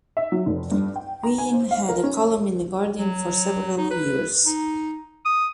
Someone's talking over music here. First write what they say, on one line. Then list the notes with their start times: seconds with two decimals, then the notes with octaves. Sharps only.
Wheen had a column in "The Guardian" for several years.
0.17 E5
0.32 F#3
0.46 F1
0.72 G2
0.96 G5
1.23 A#5
1.38 G#5
1.52 C5
1.71 F5
1.89 A#4
2.04 C#4
2.99 F#3
3.78 D#4
3.91 B4
4.46 D#4
5.25 D#6